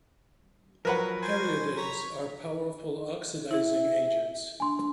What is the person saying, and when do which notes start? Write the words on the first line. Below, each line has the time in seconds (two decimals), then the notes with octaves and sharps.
Periodates are powerful oxidising agents.
0.85 F3 F#3 A#4 B4 F#5
1.22 C5 G#5
1.77 C#5 A#5 B5
3.51 E4 G#4 E5
4.60 D4 G#5 C6